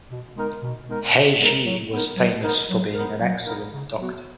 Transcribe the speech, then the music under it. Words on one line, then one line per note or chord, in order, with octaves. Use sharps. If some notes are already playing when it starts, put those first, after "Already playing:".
He Zhi was famous for being an excellent doctor.
B2
G#3 B3 D#4 A#4
B2
G#3 B3 D#4 A#4
B2
G#3 B3 D#4 A#4
F#3
B3 D#4 A#4
F#3
B3 D#4 A#4
F#3
B3 D#4 A#4
F#3
B3 D#4 A#4
C#3
F#3 B3 F#4